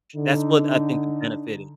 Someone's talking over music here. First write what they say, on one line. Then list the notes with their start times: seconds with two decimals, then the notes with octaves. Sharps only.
that's what I think the benefit is.
0.16 D3 D#4